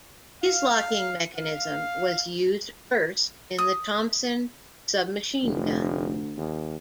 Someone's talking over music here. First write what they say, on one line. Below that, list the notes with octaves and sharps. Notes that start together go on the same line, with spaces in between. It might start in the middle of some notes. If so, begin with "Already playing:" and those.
His locking mechanism was used first in the Thompson submachine gun.
F5
F5
D#6
F1 D2
D#2